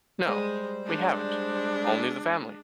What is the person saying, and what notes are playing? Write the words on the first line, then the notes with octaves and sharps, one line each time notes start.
No, we haven't, only the family.
G3 G#3 C5
G#3 D4